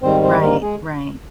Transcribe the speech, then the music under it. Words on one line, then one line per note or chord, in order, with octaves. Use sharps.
Right, right.
G#2 D#3 G3 C4 C5
C4 C5
A#3 A#4
G#3 G#4